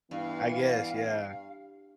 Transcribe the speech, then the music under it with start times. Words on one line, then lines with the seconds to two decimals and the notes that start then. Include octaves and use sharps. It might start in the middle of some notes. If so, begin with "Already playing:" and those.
I guess. Yeah.
0.11 G2 E3 B3 F5